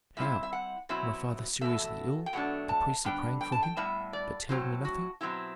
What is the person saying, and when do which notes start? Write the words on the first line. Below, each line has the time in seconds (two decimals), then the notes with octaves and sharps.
"How! my father seriously ill, the priests are praying for him, but tell me nothing?"
0.17 A2 G3 C4 E4 E5
0.43 E5
0.53 F#5
0.89 B2 F#3 C4 E4 E5
1.61 E2 B2 A3 E5
2.26 G5
2.33 B2 F#3 A3 D4 F#5
2.69 A5
3.05 D3 G3 B3 D4 G5
3.41 G5
3.52 A5
3.63 G5
3.77 A2 G3 B3 E5
4.13 D5
4.49 A2 F#3 C4 C5
4.85 F#4
5.21 B2 F#3 C4 E4 G4